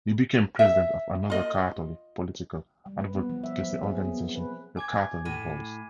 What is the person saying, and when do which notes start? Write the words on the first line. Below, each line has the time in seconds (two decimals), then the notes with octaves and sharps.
He became president of another Catholic political advocacy organization, Your Catholic Voice.
0.59 E5
1.30 F4 D#5
2.86 G3
3.01 B4
3.15 B3
3.30 F3
3.44 E5
3.59 F#3
3.83 G#4
4.05 B3
4.18 C4
4.35 B4
4.77 G#5 D6 G#6
5.25 A2 D#7